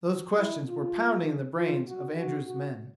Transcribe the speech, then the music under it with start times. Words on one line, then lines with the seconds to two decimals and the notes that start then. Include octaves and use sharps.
Those questions were pounding in the brains of Andrews' men.
0.38 E4
0.67 F4
1.57 F4
1.87 F#4
2.17 F#4
2.46 F#4